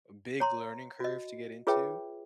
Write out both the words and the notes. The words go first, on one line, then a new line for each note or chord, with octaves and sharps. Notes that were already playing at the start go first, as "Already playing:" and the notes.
a big learning curve to get into
C#5 A#5 C6
F#4 D#5
F4 G#4 B4 C#5 E5 G5